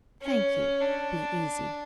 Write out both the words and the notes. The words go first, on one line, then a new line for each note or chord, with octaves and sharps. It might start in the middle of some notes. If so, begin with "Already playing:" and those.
Thank you; be easy.
C#4
D4